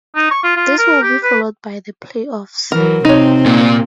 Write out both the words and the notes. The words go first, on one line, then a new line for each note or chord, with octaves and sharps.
This will be followed by the playoffs.
D#4
C#6
F4
F4
A#4
G4
B4
E3 F#3 A#4
C3 C4 D#4 C#5
A#2